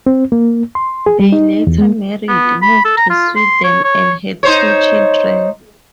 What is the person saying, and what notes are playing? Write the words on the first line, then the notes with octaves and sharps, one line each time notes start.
They later married, moved to Sweden, and had two children.
C4
A#3
C6
G#4
G3
D#4
E2
G#3
B3
B5
A4
A#5
F4
C6
C#5
C#5
D#4 C5 C#5